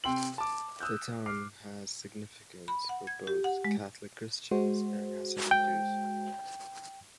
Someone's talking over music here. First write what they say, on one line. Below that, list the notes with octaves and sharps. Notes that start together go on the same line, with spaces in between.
The town has significance for both Catholic Christians and Hasidic Jews.
C3 G5 C6 E6 F#7
A5 D6
D#6 E6 F#6 G6
D6 F6 C7
B5
F#5
G#6
G4
F#5
G#3
G#3 F#4 C5
G5